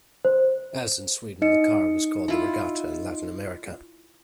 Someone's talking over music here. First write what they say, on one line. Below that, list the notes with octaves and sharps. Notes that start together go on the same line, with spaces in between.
As in Sweden, the car was called the Regatta in Latin America.
C5
D#4 D#5 C#7
E4 F4